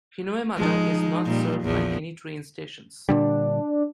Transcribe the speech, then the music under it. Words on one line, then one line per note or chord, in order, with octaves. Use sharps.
Hinoemata is not served by any train stations.
F3 G#3 D#4
A#2 G3
A#1 E2 F3
A#2 D3 G3 D4